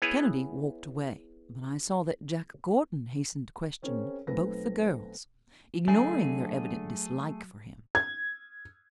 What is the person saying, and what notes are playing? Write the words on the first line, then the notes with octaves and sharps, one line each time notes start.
Kennedy walked away, but I saw that Jack Gordon hastened to question both the girls, ignoring their evident dislike for him.
B3 E4 G#4 B4 C#5
C4 C#4 G#4 A#4 C#5
B1 A3 C4 A4 B4 A#6
D3 F#3 A3 G#4 G#5
G#6